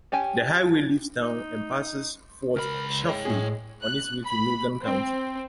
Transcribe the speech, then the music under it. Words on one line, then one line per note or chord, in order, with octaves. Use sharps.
The highway leaves town and passes Fort Chaffee on its way to Logan County.
C#4 G4 G5 G#5
D#4
C#2 A#4 B5
G#3 C#5 G5
A2 G#3 G#4
F#6
B5
C4